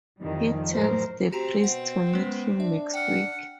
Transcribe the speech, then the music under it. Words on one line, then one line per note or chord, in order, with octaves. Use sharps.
He tells the priest to meet him next week.
F2 D#3 E3 G3
A2 F#3 A3 A#4 C5
C4 F#4 G4 A#5
B2 F#5
G#3 B3 C#4
D4 E5
F#5 G5 F6